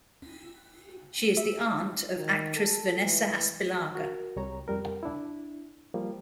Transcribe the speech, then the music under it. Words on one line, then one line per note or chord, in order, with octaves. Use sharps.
She is the aunt of actress Vanessa Aspillaga.
E5
D#3
A4
E3
F#4 A#4
C2 G3 C#5 A#5
F2 G3 A#4
D4 E4
F3 G3 A#3